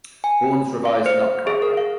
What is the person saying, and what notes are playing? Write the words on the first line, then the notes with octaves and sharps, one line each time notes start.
Bourne's revised Nutcracker!
G#5
F5
C5
G#4
A#4
F5